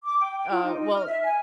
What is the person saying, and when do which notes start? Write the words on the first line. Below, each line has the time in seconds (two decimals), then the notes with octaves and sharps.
Uh, well,
0.04 D6
0.20 G5
0.38 G5
0.50 F4
0.63 D#4
0.79 D#5
0.95 F6
1.06 E5
1.23 G#5